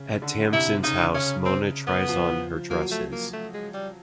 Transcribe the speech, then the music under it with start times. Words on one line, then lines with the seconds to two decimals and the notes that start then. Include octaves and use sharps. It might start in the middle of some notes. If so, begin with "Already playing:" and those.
At Tamsin's house Mona tries on her dresses.
Already playing: C#3
0.22 D3
0.52 C3 E4
0.83 C#3 D#4
1.14 C#3 C#4
1.45 C4
1.87 B3
2.09 F3
2.70 F#3 A#3
2.91 A3
3.12 A#3
3.33 A3
3.54 G#3
3.74 G3